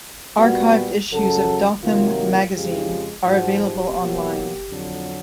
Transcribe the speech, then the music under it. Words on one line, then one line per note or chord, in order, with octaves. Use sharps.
Archived issues of "Dothan Magazine" are available online.
A#2 G3 B3 F#4
F#2 C#3 F#3 A4
C3 D#3 F#3 A#3 F4
F4
F2 C#3 F3 G#3 G4
G#2 F3 G#3 F#4
G4
B2 F#3 A#3
F2 D3 F#3